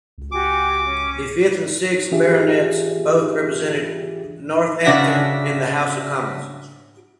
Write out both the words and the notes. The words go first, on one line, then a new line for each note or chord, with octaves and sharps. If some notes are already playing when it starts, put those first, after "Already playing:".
The fifth and sixth Baronets both represented Northampton in the House of Commons.
C#2
F#4 G4 G#5 D6
C#4
E3 D4 F4 G4 G#4 E5
C#3 D4 F#4 E5 A#6 B6